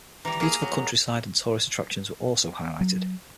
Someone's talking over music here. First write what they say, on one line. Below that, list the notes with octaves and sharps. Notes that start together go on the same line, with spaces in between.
The beautiful countryside and tourist attractions were also highlighted.
E3 G3 A#5
A#3 G#4
F#3
F#3